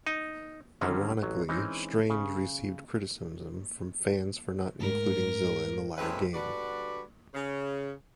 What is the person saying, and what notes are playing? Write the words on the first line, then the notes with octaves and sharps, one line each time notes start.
Ironically, Strange received criticism from fans for not including Zilla in the latter game.
D#4
D3 D#3 G3 C4 C#4
A1 F#3
E3 G#3 C4 C#4 D#4
C#3
G#2 A3 A#4
F#2 A2 C#3 G#3 C4 B4
D3 G3 F#4 B4 D5
C#3